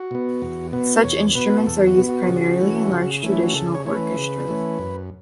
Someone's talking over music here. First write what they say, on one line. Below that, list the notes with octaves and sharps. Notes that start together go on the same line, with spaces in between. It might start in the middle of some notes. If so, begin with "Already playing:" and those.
Such instruments are used primarily in large traditional orchestras.
Already playing: F#4
B2 B3
E2
B2 B3
E2 C#5
B2 B3 B4
E2 A4
F#4
B2 B3
F#4
C#3
E3 A3 C#4
C#3
E3 A3 C#4
E4
F#4
C#3 A4
C#5
E3 A3 C#4 C#5
B4
C#3
E3 A3 C#4
F#2